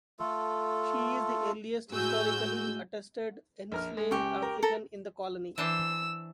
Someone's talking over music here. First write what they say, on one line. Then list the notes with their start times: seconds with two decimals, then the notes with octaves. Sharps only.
She is the earliest historically attested enslaved African in the colony.
0.19 A3 F4 A4
1.91 A2 G#3 F#4 G#5 E6 G6
3.72 A#1 A#4 F6
3.97 G#3
4.11 C#2 G4 C#6
4.42 A#4
4.63 A4 A#5
5.58 E3 D4 C5 E6